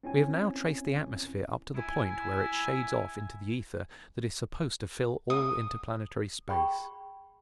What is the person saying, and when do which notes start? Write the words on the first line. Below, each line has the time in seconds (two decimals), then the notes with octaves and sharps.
We have now traced the atmosphere up to the point where it shades off into the ether that is supposed to fill all interplanetary space.
0.03 C4 C#4 E4 G#5
1.74 E4 G#5
5.30 D#6
6.48 G#4 G5 B5 C#6